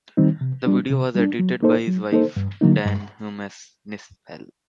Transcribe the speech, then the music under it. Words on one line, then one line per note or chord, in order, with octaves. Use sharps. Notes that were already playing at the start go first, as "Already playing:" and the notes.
The video was edited by his wife, Dyan Humes-Nispel.
D#3 G3 C4 D#4
C3
G3 D4
C3
G3 D4
F#3
A#3 D#4 A4 C5
F#3
A#3 D#4 A4 C5
G2
D3 F#3 A#3 D#4
G2